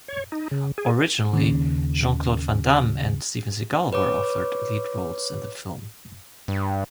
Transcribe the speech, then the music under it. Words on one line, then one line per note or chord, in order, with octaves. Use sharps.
Originally Jean-Claude Van Damme and Steven Seagal were offered lead roles in the film.
C#5
D#4
C#3
G#4
D#2 C#3
B4 C#5 D6
G2